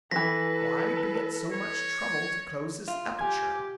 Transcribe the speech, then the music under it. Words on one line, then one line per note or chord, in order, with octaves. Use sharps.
"Why be at so much trouble to close this aperture?"
E3 F3 A4 B4 A#6 B6
C#5
F4
G4 G#5 G#6